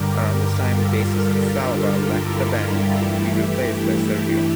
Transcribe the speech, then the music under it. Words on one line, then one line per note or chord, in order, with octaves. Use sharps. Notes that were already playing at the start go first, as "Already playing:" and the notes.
Around this time bassist Salva left the band, to be replaced by Sergio.
Already playing: G2 D3 G3 G4 A#4
F4 A4
E4 G4
G2 E3 A3